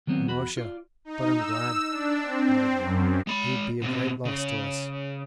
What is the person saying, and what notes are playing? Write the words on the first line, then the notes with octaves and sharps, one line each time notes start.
"Musha, but I 'm glad," muttered one; "he 'd be a great loss to us."
D#3 F#3 B3 C4
E2 F#4 B5
F4 D5
D#4
E6
D4
C4
F#2
G#3 B5
B2 C4
C#3